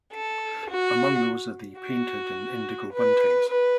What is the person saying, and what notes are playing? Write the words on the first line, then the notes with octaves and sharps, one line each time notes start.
Among those are the painted and indigo buntings.
A4
F#4
F#4
B4
B4